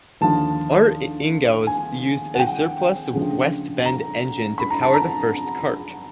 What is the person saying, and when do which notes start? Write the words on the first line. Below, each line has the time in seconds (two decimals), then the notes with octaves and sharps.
Art Ingels used a surplus West Bend engine to power the first kart.
0.21 D#2 D3 F3 A5
1.67 G#5
2.35 F#5
2.39 G5
3.13 D2 C#3 F3
3.85 A#5
4.58 B5
4.70 A#5
4.82 A5
4.94 A#5